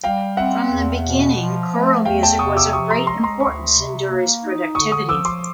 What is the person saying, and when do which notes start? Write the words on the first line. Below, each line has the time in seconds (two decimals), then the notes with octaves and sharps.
From the beginning, choral music was of great importance in Durey's productivity.
0.04 G3 F5 G5
0.37 C4 E5 F#5
0.71 E2
1.05 B2
1.39 F3
1.73 A3
2.05 E2 F5 G5
2.23 G5 A5
2.39 C3 C#6 D#6
2.57 D6 E6
2.73 F3 C#6 D#6
2.90 A#5 C6
3.06 G#3 A#5 C6
3.23 A#5 C6
3.40 D2 B5 C#6
3.74 C3
4.08 A#3
4.42 D#4
4.75 D3 C#6 D#6
4.91 C#6 D#6
5.08 F3 D6 E6
5.25 C6 D6